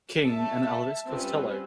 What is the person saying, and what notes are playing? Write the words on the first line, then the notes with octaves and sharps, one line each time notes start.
King, and Elvis Costello.
E5 A5
G3 C4 C#4 F4 B4